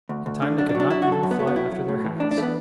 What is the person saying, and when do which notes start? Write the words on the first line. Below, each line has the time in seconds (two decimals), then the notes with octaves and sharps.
In time they could not even fly after their hats.
0.09 D2
0.26 D2
0.42 D3
0.58 F#2 D4
0.69 D4
0.75 F#3
0.80 D4
0.90 F#2 E4
1.02 F#4
1.07 F#3 A4
1.23 F#2
1.31 B3
1.39 F#3 A3
1.47 B3
1.56 F#2 E4
1.72 F#3
1.88 A2
2.04 E3
2.20 A2 D4
2.31 D4
2.37 E3 A3
2.42 B3